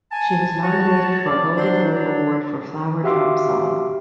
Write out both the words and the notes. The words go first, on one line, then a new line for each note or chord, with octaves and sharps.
She was nominated for a Golden Globe Award for "Flower Drum Song".
G#5 A5
F#4 C#5
D5
F#3 D4 C5
D4 C#5
F#4 G4 E5 F5 C6 D6